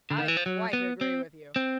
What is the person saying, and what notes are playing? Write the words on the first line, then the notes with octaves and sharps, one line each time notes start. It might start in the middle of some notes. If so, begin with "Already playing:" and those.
"I quite agree with you."
D3
D#3
E3
F3
F#3
B3
C4
C4